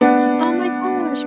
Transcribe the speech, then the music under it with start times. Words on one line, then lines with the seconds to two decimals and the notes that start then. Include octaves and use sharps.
Oh my gosh.
0.01 B3 D4